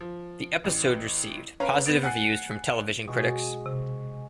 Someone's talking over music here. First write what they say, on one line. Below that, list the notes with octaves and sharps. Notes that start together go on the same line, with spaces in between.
The episode received positive reviews from television critics.
F3
A1
C#4 B4 C#5 F5 A#5
B3 A6 D7
F#5 G#5 F#6 C7
B2 G#3 F#4 G#4
C3